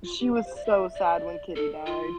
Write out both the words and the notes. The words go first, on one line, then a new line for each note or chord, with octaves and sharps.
She was so sad when Kitty died.
F4
G4
F5
C5
D5
E5
D5
A4
F4